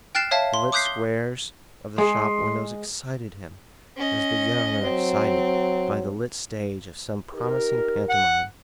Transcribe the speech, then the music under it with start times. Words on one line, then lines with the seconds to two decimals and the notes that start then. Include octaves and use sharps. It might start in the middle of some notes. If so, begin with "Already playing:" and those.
The lit squares of the shop windows excited him as the young are excited by the lit stage of some promising pantomime.
0.15 G5 F6 F#6 A6 C7 E7
0.31 C#5 E5 F5 A5
0.54 C6
0.72 D6 D#6 F#6 G6 B6 C7
0.86 G7
1.98 G#3 G#4 C6
3.96 C#4 D#5
4.83 F#3 C4
7.34 D#4 G4 A#4
8.09 F#5